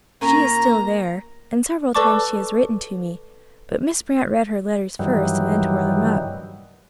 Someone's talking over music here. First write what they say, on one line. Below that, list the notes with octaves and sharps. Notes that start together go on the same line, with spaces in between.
She is still there, and several times she has written to me, but Miss Brant read her letters first and then tore them up.
A#2 A#3 C#4 A#4 A#5
A4 B4 D5 A5 C#6 D6
G2 D#3 E3 F#3 G3